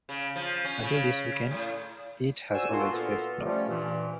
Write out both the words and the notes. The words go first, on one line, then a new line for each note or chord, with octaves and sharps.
Until this weekend, it has always faced north.
C#3
F3
C#4
C#3
A2
F#4 C5 D5 G#5 E6
A#2 A#3 D4 F4 F#4 C6
A#2 B3 F4 A4 A#4
F3 G3 A3 C#4
G2 A#2 E3